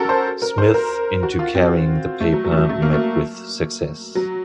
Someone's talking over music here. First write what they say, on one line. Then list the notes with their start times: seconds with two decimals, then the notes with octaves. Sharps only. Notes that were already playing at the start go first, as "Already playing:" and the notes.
Smith into carrying the paper met with success.
Already playing: C#4 F#4 A4 A#4
0.09 C5
0.42 A#4
0.58 C5
0.74 A#4
1.23 F#4
1.39 F4
1.55 C4
2.21 A3
2.33 F#3
2.44 F#3
2.52 A3
2.57 F#3
2.69 A3
2.82 A#3
2.93 A3
4.15 F#3